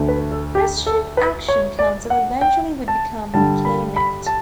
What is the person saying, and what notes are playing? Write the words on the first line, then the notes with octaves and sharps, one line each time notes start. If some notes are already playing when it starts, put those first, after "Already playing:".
Christian Action Council eventually would become Care Net.
Already playing: D2 D3 A3
B4
A4
G4
A4
B4
C#5
D5
F#5
G5
A5
G2 D3 G3 A5
B5
B5
A5